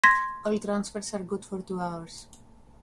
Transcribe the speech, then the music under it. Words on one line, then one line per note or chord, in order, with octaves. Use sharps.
All transfers are good for two hours.
C6 G#6 A#6 B6